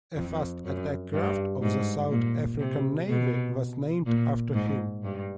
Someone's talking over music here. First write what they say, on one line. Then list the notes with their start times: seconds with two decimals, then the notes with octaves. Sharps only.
A Fast Attack Craft of the South African Navy was named after him.
0.16 F2
0.65 F#2
1.13 G2
1.62 G#2
2.11 A#2
2.60 C3
3.09 B2
4.07 A#2
4.54 G#2
5.04 G2